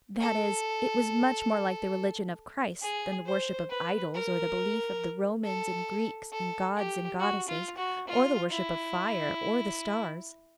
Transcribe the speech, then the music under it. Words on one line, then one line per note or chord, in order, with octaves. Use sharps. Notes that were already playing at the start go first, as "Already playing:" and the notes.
That is, it was much more like the religion of Christ than the worship of idols or the belief of the Romans and Greeks in gods and goddesses, or the worship of fire or the stars.
A4
G#4
C5
B4
A#4
A4
A4
G4
F#4
F4
F#4
F4
E4